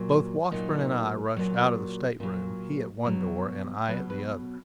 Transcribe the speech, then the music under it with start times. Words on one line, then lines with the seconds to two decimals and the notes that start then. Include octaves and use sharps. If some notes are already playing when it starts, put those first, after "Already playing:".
Both Washburn and I rushed out of the state-room, he at one door, and I at the other.
Already playing: A#2 F#3
0.52 A#2 F#3 D#4
1.37 A#2 F#3
2.20 A#2 F#3
3.05 B2 F#3
3.88 F#3 B4
3.91 B2
4.10 B4